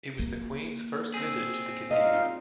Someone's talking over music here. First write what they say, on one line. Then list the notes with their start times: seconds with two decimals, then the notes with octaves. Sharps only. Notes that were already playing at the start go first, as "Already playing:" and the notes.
It was the Queen's first visit to the Cathedral.
0.19 A#3
1.14 C4 G#4
1.91 D#4 F4 D#5 F5